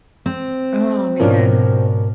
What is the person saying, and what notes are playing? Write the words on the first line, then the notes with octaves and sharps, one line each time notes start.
Oh, man.
C4
G#2 B2 F3 C#4 D4 A#4